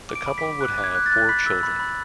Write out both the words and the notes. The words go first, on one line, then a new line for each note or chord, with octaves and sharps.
The couple would have four children.
D6
D7
B5
B6
D6
F#6
D6
G#6
F#6
A6
F#6
B5 B6
E6
B5
B5